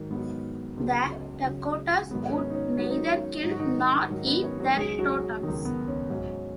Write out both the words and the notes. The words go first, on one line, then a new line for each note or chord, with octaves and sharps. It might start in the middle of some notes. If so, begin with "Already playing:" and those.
The Dakotas would neither kill nor eat their totems.
Already playing: G#2 D#3 F#3
G#2 F#3 B3
C#2 C#3 F#3
C#2 C#3 F#3
G#2 D#3 F#3 B3
C#4
D#4
C#4
G#2 D#3 F#3 C#4
D#4
C#4
G#2 D#3 F#3 D#4
F#4
D#3 D#4
G#2 D#3 F#3
B3 B4
C#4 C#5
F#3 F#4
C#2 B2 F#3 G#3 G#4
F#3 F#4
C#2 B2 D#3 F#3 D#4
B3
C#4
G#2 F#3 C#4